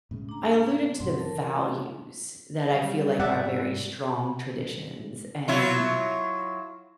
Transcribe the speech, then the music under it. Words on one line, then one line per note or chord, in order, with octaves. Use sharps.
I alluded to the values that I feel like are very strong traditions, and
A2 C#3 G#3
D4 A#5
G2 B2 D#3 F#3 C4
E3 A4 A#4 A5
A3 F#4
F#3 G3
G#2 D5 E5 F#5
F#3 E4 F4